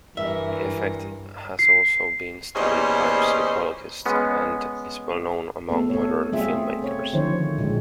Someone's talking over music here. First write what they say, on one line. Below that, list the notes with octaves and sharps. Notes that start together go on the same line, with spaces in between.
The effect has also been studied by psychologists, and is well-known among modern filmmakers.
G2 E3 A#4 E5
C7
E2 A#2 G3 C#4 C5 D#5
G#3 B3 C#4
A3 B3 C4 A4
A4 C#5
G3 A3 C4 F4 G#4 E5
C4 C#5
D3 D#3 F3 E4 C5 C#5
A#2 G#3